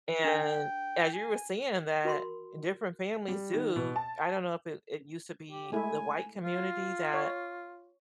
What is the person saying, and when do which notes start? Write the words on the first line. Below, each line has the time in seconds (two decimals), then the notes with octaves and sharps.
and as you were saying that different families do I don't know if it it used to be the white community that
0.24 D4 A#4 G5
1.13 G#5
2.05 F#4 A#4 B5 C6
3.28 G3
3.54 D#3
3.76 B2
3.96 A5
5.52 G4
5.72 G#3 A3 E4 G#5
6.44 F4
7.14 C#5